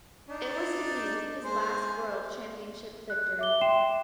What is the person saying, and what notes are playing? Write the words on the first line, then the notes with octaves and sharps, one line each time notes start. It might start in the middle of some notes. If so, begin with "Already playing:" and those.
It was to be his last world championship victory.
D4 D#4
G#3 C5
F#6
E5 D6 G7
G5 C6 C7 E7
E5